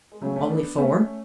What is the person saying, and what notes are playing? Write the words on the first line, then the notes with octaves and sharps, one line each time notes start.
Only four?
G#3
C#3 F#3 A3
A3 C#4
B3 D4
A3 B3 C#4